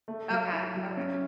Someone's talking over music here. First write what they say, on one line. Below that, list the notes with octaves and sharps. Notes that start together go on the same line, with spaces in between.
Okay, okay.
A3
F#3
E4
F#3
C#4